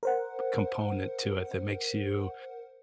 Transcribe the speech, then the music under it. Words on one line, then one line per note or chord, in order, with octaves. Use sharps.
component to it that makes you
A#4 C5 F#5